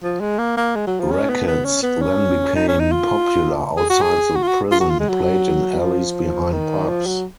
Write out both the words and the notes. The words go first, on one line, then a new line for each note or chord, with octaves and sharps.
Rackets then became popular outside the prison, played in alleys behind pubs.
F3
G#3
A#3
A#3
G#3
F#3
F3
C#4
B3
B3
C#4
B3
C#4
D#4
C#4
D#4
F4
G#4
F#4
G#4
F#4
F4
F#4
F4
F#4
F4
G#3
F#3
F3
D#3
F3
F#3